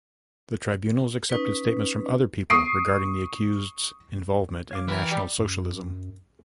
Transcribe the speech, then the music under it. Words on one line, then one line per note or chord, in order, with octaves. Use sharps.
The tribunals accepted statements from other people regarding the accused's involvement in National Socialism.
C#4 D#4 B4
C#6 D#6 C7 D7
C#5 F5 D6
E3 A#4 B4 G5 A#5
G3
F#2